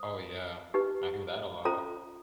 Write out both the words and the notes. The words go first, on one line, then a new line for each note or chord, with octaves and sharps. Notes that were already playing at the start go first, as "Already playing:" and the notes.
Oh, yeah. I hear that a lot.
Already playing: C5 D#6
D#4 G4 B4
C#4 F4 A4 C5 A#5